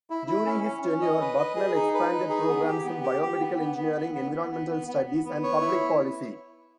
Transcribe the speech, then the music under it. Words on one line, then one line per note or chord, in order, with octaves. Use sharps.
During his tenure, Bucknell expanded programs in biomedical engineering, environmental studies, and public policy.
E4
E4
C#4
C#4
C#4
D#5
B4
D#5
G#4
D#4
B4
D#4
G#4
B3
G4
B3
G4
G4
B3
B3
B3
B3
B3
B3
B3
B3
B3
B3
B3
C#5
E4